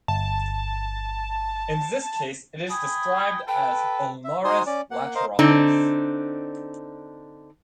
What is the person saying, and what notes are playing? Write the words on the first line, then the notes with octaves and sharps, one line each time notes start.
In this case it is described as "ulnaris lateralis".
G1 A5
G5 G#5 B5 D#6
A4 B4 G5
E5
D#4 F#4 C5 G#5 C6 D#6
C#4 D5
A#3 F#5
A#4 C5 D#5 F5
D3 C4 D4 D#4